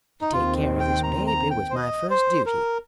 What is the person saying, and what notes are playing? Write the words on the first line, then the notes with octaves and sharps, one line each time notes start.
To take care of this baby was my first duty.
D#4
D#2 D#3 C4 F4
G5
A#5
A#5
G5
C5
D#5
C5
A#4